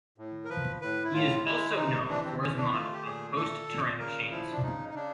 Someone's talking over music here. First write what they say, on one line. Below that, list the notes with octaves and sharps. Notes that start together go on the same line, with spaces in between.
He is also known for his model of Post-Turing machines.
A2
A#4
F3 B4
A2 B4
E4
A2 F4
G#3 E4
C3 D#4
E3 D4
C4
E3 C#4
D4
A3 F4
G4
A#2 G#4
A#2 A4
A#2
C#3 A#4
F3 E4
D4
C#3 D#4
D#4
C#3 D4